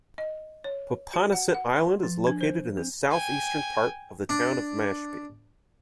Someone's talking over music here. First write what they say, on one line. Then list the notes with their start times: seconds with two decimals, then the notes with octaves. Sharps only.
Popponesset Island is located in the southeastern part of the town of Mashpee.
0.18 D#5
0.64 C#5
1.14 F#4
1.33 F#5
1.54 F#5
1.76 C6
2.03 F3
2.27 D4
2.41 C5
2.77 C4
3.11 G5 G#5
4.29 D4